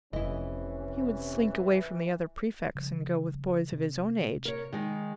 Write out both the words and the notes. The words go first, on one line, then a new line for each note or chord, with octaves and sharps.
He would slink away from the other prefects and go with boys of his own age.
F1 C3 E3 C#4 E4 D#5
C#3 F3 G3
C3
A#4 C#5
D#3 G#3 D#4